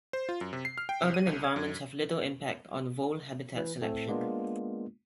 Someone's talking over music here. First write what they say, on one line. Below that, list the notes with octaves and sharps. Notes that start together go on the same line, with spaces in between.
Urban environments have little impact on vole habitat selection.
C5
F4
F#2
C3
C7
F6
G5
C2
D#7
C2
G#6
F#2
E3 B4
A2 A3 C4 A4
G#3 A#3 B3 D4 F4